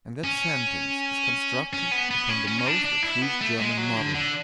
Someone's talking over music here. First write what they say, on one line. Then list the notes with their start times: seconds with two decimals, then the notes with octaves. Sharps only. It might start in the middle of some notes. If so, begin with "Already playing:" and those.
And that sentence is constructed upon the most approved German model.
0.24 C#4
1.73 C#4
1.92 B3
2.11 B3
2.29 C#4
2.47 C#4
2.59 C#4
2.66 D4
2.84 D4
3.03 E4
3.22 B3
3.41 A3
3.59 G#3
3.77 F#3
3.96 D3
4.15 D3